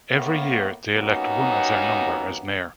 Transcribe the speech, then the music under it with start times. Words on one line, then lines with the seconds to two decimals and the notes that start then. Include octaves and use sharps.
Every year, they elect one of their number as mayor.
0.12 A2 A#3 B3
0.96 G3 A#3 B3 C#4 D#4 F#4